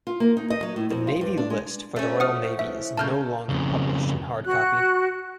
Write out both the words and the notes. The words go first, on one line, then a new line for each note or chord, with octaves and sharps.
The Navy List for the Royal Navy is no longer published in hard-copy.
F4
A#3
D#4
D#5
F#3
A2
F2
F4
G2
D4
G#3
A3 C4 C#4 G#4
F3 F#5 D#6 F6
E3 E5
F2 C#3 A3 A#3 A5 F6 G6
F2 C#3
F#4 F#6